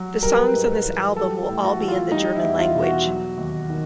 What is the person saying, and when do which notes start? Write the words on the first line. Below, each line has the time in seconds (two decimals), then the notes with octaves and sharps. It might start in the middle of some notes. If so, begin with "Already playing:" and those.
The songs on this album will all be in the German language.
Already playing: F#3
0.22 G3 A#4
0.33 B4
0.43 A#4
0.54 G#2
0.85 E3
1.16 G3 A4
1.48 A2
1.64 F#4
1.81 E3
1.88 F4
2.11 G3 D#4
2.35 E4
2.43 E2
2.55 E4
2.59 F4
2.75 B2
2.83 F#4
3.06 F#3
3.38 D#2
3.70 D#3